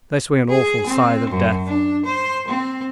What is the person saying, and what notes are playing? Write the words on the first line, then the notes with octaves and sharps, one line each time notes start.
They swing an awful scythe of death.
G#4
C4
F#2
D4
C5
C4